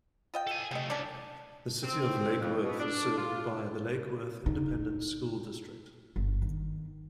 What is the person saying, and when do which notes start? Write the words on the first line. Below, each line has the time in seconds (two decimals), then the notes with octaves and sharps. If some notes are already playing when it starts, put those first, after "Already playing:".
The city of Lake Worth is served by the Lake Worth Independent School District.
0.34 F4 D#5 G5
0.47 A4 G#5
0.71 C3 A3 D#5 G5
0.90 C2 F2 C#4 D4 D5
1.83 C4
2.40 F2
2.63 B2
2.79 D4
3.17 F4
4.46 D#4
6.16 G1
6.42 D#3